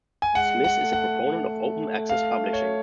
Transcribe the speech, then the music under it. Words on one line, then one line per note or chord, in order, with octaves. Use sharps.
Smith is a proponent of open access publishing.
G#5
G#3 F#5
F#5
A3
F#5
A3
F5
C#5